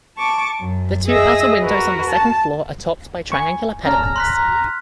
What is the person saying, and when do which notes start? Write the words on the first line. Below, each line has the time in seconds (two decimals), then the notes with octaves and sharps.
The two outer windows on the second floor are topped by triangular pediments.
0.17 A5 C#6 D6
0.58 F#2
1.07 G#4 D#5 E5 E6 A#6
1.60 F#4 A#4 B4
2.09 A5
3.32 G#5 B5 C#6
3.86 C#4 D5 A5 A#5 F6
4.16 C6 F#6 B6